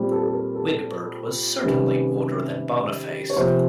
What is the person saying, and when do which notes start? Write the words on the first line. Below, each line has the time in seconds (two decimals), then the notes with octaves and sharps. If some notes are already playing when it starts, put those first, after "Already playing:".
Wigbert was certainly older than Boniface.
Already playing: A#2 G3 C4
0.11 A4
0.23 A4
0.34 A#4
0.55 A4
1.63 C3 D#3 G3 A#3 C#4 B4
3.30 C#5
3.36 C3 F3 A#3 C5